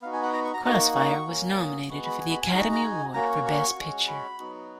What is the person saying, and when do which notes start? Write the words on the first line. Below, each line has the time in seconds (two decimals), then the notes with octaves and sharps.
"Crossfire" was nominated for the Academy Award for Best Picture.
0.02 B3 D#4 F#4 F5
0.13 G#5
0.23 F#5
0.33 A#5
0.45 C#6
0.54 A#5
0.65 A#3 D#4 F#4 A#5
0.80 C#6
0.96 C#6
1.27 F#3 A#3 C#4
1.58 D#6
1.89 G#3 B3 F#4 C#6
2.05 B5
2.20 G#5
2.31 B5
2.42 G#5
2.51 G#3 D#4 F#4 A#5
2.72 A#5
2.84 G#5
3.14 A#3 C#4 F#4 A#5
3.30 C#6
3.46 C#6
3.76 G#3 C#4 F#4
4.08 B5
4.39 F#3 B3 D#4 F#4